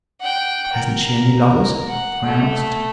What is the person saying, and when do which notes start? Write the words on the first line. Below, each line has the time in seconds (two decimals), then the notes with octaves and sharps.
"Hasn't she any lovers?" I asked.
0.21 F#5 G5
0.74 A#4
1.88 F#5
2.25 A3